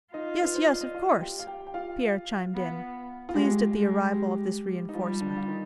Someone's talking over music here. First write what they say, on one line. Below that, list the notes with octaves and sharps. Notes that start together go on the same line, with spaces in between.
"Yes, yes, of course!" Pierre chimed in, pleased at the arrival of this reinforcement.
D#4 F4 D#5
B4
C5
D5
D#5
F4 F5
G4 G5
F5
G4 G5
G5
F4 F5
B3
F4
G3 G#3 G4
G#3
G3 G4
D#4
F3 G3 F4
D3 D4
F4
D#3 D#4